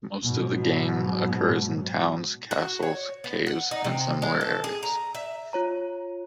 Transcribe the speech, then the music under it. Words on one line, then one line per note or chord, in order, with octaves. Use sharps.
Most of the game occurs in towns, castles, caves, and similar areas.
G#2 B2 F#3
F#4
C#5
B3
F#5
D#4
C3
G#3
A4
G#4
A#5
E5
F4 C#5 A#5